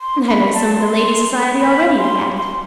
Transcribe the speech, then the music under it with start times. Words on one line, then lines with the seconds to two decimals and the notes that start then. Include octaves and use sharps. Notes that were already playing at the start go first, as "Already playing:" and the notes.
"And I know some of the lady-society already," I added.
0.01 C6
0.27 B5
0.53 A5
0.80 C6
1.59 B5
1.98 C6
2.37 C6